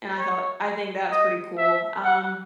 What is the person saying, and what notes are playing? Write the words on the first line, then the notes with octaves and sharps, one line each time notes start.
and I thought, "I think that's pretty cool." Um,
C#5
D#5
E5
F#5